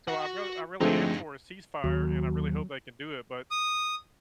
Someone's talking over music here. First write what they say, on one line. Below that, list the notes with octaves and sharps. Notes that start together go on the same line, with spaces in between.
So I real I really am for a ceasefire, and I really hope they can do it. But,
F#4 F#5
G2 D3 F3 G#3 A3 C4 D#4
D#2 F#3
D#6